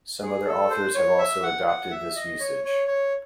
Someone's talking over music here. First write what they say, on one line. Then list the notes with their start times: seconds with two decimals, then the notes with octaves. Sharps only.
Some other authors have also adopted this usage.
0.22 G#4
0.47 A4
0.70 C5
0.95 C#5
1.18 E5
1.43 F#5
1.67 F#5
1.91 E5
2.16 D#5
2.40 C#5
2.64 C#5
2.88 C#5